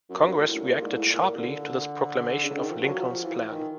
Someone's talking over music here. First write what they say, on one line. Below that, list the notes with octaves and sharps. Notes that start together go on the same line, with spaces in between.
Congress reacted sharply to this proclamation of Lincoln's plan.
F#2
G2
A#2
A2
A#2
G#2
A2
A#2
A#2
D3
C#3
D#3
F3
F#3
F3
E3
D#3